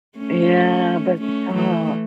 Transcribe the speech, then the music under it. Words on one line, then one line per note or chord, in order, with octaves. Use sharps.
Yeah, but, aw
A3 C#4
A3 C#4
E3 A3